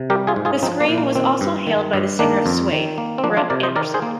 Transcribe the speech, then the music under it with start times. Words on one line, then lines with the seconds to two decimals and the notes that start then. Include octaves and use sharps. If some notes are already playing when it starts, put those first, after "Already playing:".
"The Scream" was also hailed by the singer of Suede, Brett Anderson.
Already playing: C3
0.10 G3 G4 A#4
0.27 F4 G#4
0.36 G#2
0.45 F4 G#4
0.63 F3 C4 D#4
0.80 A#3 D4
0.88 A#2
0.98 A#3
1.15 D#3 C4
1.41 G2
1.67 D#3
1.93 G2
2.19 D#3 A#3 D4
2.46 F2
2.72 D#3
2.98 A#3
3.18 C4
3.24 F3 A#3 D4
3.37 D4 F4
3.50 C3 A#4 D5
3.63 C5 D#5
3.76 D#3 A#4 D5
3.94 G#4 C5
4.02 A#3